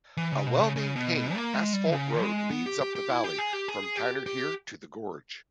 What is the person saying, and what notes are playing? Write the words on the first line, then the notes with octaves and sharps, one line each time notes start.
A well-maintained asphalt road leads up the valley from Tinerhir to the gorge.
E3
C#3
B2
C#3
C#3
B2
B2
A#3
G#3
G3
C#3
G#3
B3
G4
G4
G4
E4
G4
G#4
G4
G#4
G4
G4